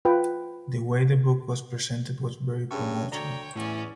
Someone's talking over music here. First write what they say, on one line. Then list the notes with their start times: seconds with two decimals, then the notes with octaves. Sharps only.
The way the book was presented was very promotional.
0.05 F4 B4 G5
2.71 G2 C#4 G#4 C#6
3.12 D2 D3 C#5 D5 G5 A#5
3.56 E2 A2 E3 C#4 D5